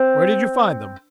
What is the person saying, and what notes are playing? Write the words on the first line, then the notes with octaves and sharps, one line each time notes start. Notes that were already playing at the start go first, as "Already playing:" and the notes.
"Where did you find them?"
Already playing: C4